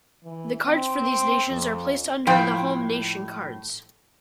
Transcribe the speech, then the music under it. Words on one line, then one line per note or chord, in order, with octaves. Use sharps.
The cards for these nations are placed under the home nation cards.
E3
C4
F2
A2 F3 G5